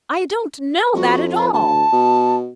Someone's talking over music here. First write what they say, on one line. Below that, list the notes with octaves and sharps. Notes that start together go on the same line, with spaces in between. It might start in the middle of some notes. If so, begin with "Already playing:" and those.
I don't know that at all!
F2 F#4
F4
D2 A5
B2